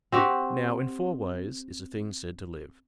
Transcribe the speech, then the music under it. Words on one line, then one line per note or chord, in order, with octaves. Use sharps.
Now, in four ways is a thing said to live.
C4 F#4 G4